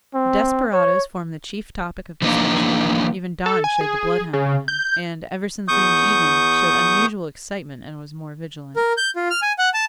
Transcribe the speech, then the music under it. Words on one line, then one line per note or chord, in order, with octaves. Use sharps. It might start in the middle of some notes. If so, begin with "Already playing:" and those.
The desperadoes formed the chief topic of discussion, even Don showed the bloodhound in him, and, ever since leaving Egan, showed unusual excitement and was more vigilant.
C4
C#5
E3 F3 A#3 D4 D#4
A4
G#5
G#4
C#3
G6
E2 C#6 D#6 G6
A#4
G6
F4
F6
G#5
F#5
A5